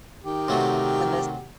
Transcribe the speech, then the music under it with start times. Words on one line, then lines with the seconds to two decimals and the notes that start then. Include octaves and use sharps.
When those
0.24 D#3 G4
0.48 C3 F#3 A3